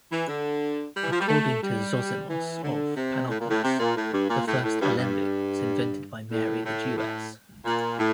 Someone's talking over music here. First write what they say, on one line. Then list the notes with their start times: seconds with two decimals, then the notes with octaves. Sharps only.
According to Zosimos of Panopolis, the first alembic was invented by Mary the Jewess.
0.10 E3
0.26 D3
0.94 G3
1.02 E3
1.11 F3
1.19 G3
1.27 A3
1.61 G3
2.28 E3
2.62 D3
2.94 C3
3.29 A2
3.38 A#2
3.49 A2
3.62 C3
3.79 A#2
3.95 A2
4.12 G2
4.28 A#2
4.46 A2
4.62 A2
4.79 G2
4.95 G2
6.30 A2
6.63 A2
6.96 A2
7.64 A#2
7.98 A2